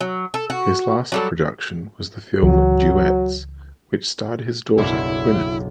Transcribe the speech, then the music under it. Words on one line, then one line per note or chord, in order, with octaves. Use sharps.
His last production was the film "Duets", which starred his daughter, Gwyneth.
F#3
A4
F#4
F#3 G3 A4
C#2 E3 F#3
F#1 B1 D4 E4